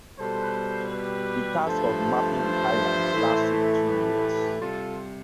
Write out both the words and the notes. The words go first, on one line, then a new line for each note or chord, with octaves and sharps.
The task of mapping the island lasted two years.
B2 G3 A4 C5
G4 B4
G2 F3 A3 A4 C5
C5 E5
A2 E3 A3
G4 B4
C3 G3 F4 A4